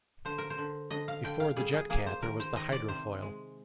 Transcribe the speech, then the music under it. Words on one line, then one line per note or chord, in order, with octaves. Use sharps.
Before the JetCat there was the hydrofoil.
D3 C5
A#4
C5
D3
D3 D#5
F5
D3 G5
F5
G3 G#4
G#4
A#3 G#4
C5
D#3 A#4
C5
D#3 D#5
D5
C3 C5
G#3